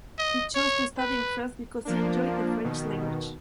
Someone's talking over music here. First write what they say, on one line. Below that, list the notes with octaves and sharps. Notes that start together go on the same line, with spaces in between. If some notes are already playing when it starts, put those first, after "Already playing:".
She chose to study in France because she enjoyed the French language.
D#5
C#5
B4
F3 A#3 D4
B2 D#3